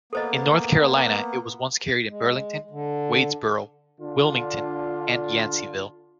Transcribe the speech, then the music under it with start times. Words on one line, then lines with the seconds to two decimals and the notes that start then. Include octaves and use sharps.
In North Carolina, it was once carried in Burlington, Wadesboro, Wilmington, and Yanceyville.
0.13 A#3 B3 A4 C5 D#5
2.09 G#3
2.71 D3
4.01 D3 D4 F4